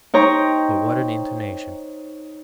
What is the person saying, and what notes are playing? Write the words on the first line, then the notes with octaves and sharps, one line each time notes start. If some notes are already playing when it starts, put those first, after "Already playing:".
But what an intonation!
D#4 C5 C#5 G5 A#5